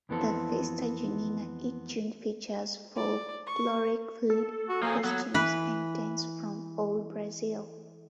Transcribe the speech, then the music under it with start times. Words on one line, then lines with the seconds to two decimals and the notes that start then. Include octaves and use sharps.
The "Festa Junina" each June features folkloric food, costumes, and dance from old Brazil.
0.09 F2 E3 B3 C4 A4
2.96 D5
3.47 C#6
4.30 A4
4.69 F#4
4.82 F3 A#3 G#4
5.04 F#3 B3
5.34 E3 B4